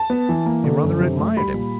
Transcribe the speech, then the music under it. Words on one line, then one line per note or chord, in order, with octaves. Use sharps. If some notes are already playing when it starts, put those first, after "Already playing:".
They rather admired him.
Already playing: A5
B3
E3
A#3
D3
F#2
C3
A3
G3 B5
A#2